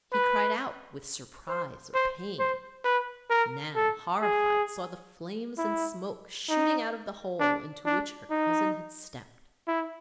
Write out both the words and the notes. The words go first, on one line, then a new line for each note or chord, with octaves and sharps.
He cried out with surprise or pain. Nan, horrified, saw the flames and smoke shooting out of the hole into which her cousin had stepped.
B4
C5
C5
C5
B4
A#4
A4
G#4
E4
D#4
D4
D4
D#4
E4